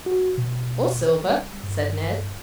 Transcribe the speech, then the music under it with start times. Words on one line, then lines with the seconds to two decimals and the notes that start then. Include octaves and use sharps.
"Or silver," said Ned.
0.06 F#4
0.38 B2
1.27 G3
1.63 G2